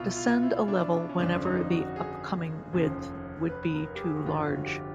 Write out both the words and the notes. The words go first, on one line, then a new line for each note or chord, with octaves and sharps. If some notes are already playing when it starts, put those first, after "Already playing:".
Descend a level whenever the upcoming width would be too large.
Already playing: C2 B2 E4 F4
F4
E4
D4
D4
C#4
G1 F2 C#3 F3 D4
D#4
F#4
G#4
F1 D#2 C#3 F3
B4
A#4
G4
G#4
F#4
G1 F2 D3 F4
F#4
G4